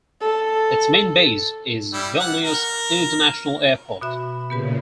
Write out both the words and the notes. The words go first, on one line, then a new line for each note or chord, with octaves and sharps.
Its main base is Vilnius International Airport.
A4
G3 E4
F#5
A#4
B2 F#4 E5 B5
A#2 C#3 B3 G4 B4